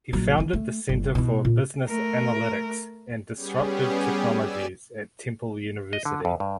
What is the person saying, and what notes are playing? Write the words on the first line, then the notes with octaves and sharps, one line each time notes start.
He founded the Center for Business Analytics and Disruptive Technologies at Temple University.
A#1 F#3
D#3 E3
A3
G1
B2 E4
A#2
A3 A#4
G3 B3 C#4 G4 G#4
D5 G#5 E6
D#5
D3
F2
G2